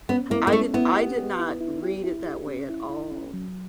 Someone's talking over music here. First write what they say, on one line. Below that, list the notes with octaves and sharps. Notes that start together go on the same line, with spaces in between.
I didn't I did not read it that way at all,
B3 C#4
A#3 E4
A#3
A3 C#4
B3 E4
G4
G4
E4
E4
G4
E4
G4
C#4
E4
E4
C#4
F#3